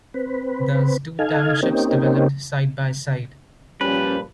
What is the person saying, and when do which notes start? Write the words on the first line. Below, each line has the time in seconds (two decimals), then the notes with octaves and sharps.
Thus two townships developed side-by-side.
0.14 C4 B4
1.19 D#4 A4 F5 G#5
1.63 A#3 C4 C#4 D#4 G4
3.81 A#2 F3 G3 C#4 B4